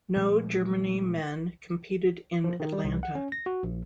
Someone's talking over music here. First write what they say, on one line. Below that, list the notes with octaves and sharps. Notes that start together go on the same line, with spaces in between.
No Germany men competed in Atlanta.
A#2 F3 G#3 A3
F3
D#3
G3
C2
F#5
C#4
A#6
F#4
A#1